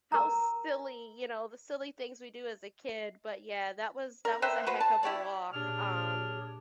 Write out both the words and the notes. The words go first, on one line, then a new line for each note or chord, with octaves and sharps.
how silly you know, the silly things we do as a kid, but yeah, that was that was a heck of a walk, um
A#4 A#5
A#4
B4 C5 E5 G5
F#4 B4 C5
A5
E4 G4 C#5 D5
A#2 D4 G4 G#4 C#5 F6